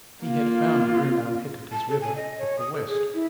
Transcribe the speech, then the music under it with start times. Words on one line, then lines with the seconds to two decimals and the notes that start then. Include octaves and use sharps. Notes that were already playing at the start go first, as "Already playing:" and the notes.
He had found Bruno Heceta's River of the West.
0.24 A#3 F4
1.72 A5
1.90 A4
2.01 G#5
2.16 D#5
2.38 C#5
2.59 D#6
2.74 A4
2.88 G#4
3.14 E4